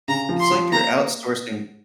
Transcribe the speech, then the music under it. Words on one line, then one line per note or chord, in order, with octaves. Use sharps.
It's like you're outsourcing
C#3 A#5
F3
C6
F3
A#3 A#5